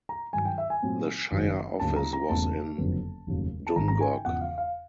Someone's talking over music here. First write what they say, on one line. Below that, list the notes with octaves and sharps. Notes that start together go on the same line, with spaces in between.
The shire office was in Dungog.
A#5
G2 D#3 F#3 G#5
G5
E5
G#5
A#2 F#3 A3 C4
F#1 F#2 D#3 F#3
D2 C#3 F#3 A#3 C#4 A5
A#5
A#5
E1 E2 C#3 E3 A3 A5
F#1 F2 D3 F#3 B3
F1 D#2 C#3 F#3
A5
G#1 G#2 D#3 G#3 A#5
A#5
G#5
G5
E1 E2 C#3 F3 F#5
F5
F5